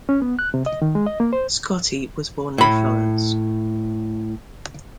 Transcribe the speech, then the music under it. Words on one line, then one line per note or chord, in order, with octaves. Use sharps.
Scotti was born in Florence.
C#4
B3
F#6
C3
D#5
D#3
G#3
D#5
A#3
C5
A2 B5